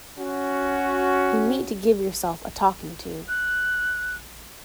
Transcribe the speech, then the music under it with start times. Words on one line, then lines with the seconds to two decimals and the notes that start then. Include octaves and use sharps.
You need to give yourself a talking to.
0.18 C#4 F#4
3.28 F#6